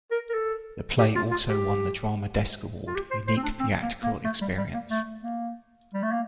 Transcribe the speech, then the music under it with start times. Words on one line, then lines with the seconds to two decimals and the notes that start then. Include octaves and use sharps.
The play also won the Drama Desk Award, Unique Theatrical Experience.
0.12 A#4
0.29 A#4
0.34 A4
0.99 G4
1.16 F4
1.31 F4
1.48 G4
2.87 F4
2.95 G4
3.11 C5
3.28 C5
3.37 C4
3.43 D4
3.59 C4
3.82 A#3
4.03 A#3
4.25 A3
4.41 G3
4.58 G3
4.74 A#3
4.90 A3
5.23 A#3
5.94 G3
6.03 A3
6.12 A#3